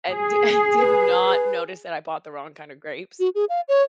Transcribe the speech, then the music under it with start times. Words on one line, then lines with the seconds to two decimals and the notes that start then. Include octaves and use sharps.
and di and did not notice that I bought the wrong kind of grapes.
0.11 G#4
0.78 B4
3.20 F#4
3.35 G#4
3.49 F5
3.68 C#5